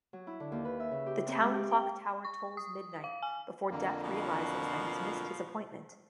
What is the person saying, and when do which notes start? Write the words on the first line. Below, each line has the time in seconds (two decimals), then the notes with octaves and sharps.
The town clock tower tolls midnight before Death realizes that he's missed his appointment.
0.13 F#3
0.27 E4
0.40 D3
0.52 D#2
0.65 B4
0.80 E5
0.91 C#3
1.06 G4
1.28 C4
1.42 G#3
1.56 G4
1.71 G5
2.25 C#6
2.57 D#6
3.04 F5
3.22 G#5
3.71 F2 D3 A#3
4.03 B2 F3